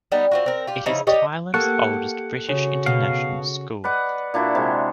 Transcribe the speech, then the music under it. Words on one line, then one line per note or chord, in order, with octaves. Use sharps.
It is Thailand's oldest British international school.
G3 B3 D#4
C4 F4 F#4
C4 A#4
F4 G4
C#3 F3 D#4 E4
D4 G4 C#5 D#5
A#3 G4 A4 F#5 C#6 F6
C#3 F#4
B2 F5
B4 D5 D#5 F#5
A#2 D4 E4 F#4
C3 G#3